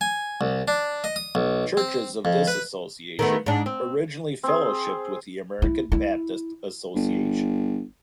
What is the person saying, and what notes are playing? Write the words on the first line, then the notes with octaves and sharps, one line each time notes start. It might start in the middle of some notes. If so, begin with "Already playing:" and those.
Churches of this association originally fellowshipped with the American Baptist Association.
G#5
C2
D4
D#5
D#6
B1
C4
F2
B4
D#3 A3 B3
G#2 D4
C4
C4 G#4
E4
E4
G1